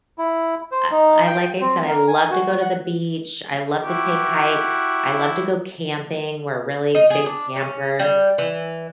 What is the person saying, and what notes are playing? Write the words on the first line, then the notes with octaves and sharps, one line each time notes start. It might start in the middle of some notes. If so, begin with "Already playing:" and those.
I I like I said, I love to go to the beach, I love to take hikes, I love to go camping. We're really big campers,
E4
C5
D#4
G5
C4
A#4
G#5
F#4
F#5
E4 F#4 G4
D#4
G#4
D4
C#4
G3
E3